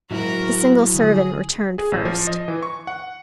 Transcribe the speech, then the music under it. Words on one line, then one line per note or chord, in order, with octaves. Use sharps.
The single servant returned first.
A2 F#3 G#3 E4 F#4 A#4
D3 G#4
G#4
A1
F3
D#5
E3
C#6
F#5